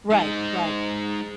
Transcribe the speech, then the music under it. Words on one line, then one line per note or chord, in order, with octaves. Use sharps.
Right, right.
G#3 D#4